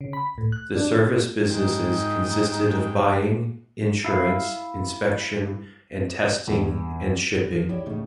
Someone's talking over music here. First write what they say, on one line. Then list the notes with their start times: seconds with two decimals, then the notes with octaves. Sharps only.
The service businesses consisted of buying, insurance, inspection and testing, and shipping.
0.01 C#3
0.13 B5
0.38 A2
0.52 F#6
0.76 D4
1.50 G#2 D#4 G5
4.04 E4 F5
6.47 E2
7.31 B4
7.52 F3
7.69 E4 G4 C#5 D5
7.86 A2 C#3 A3 D#4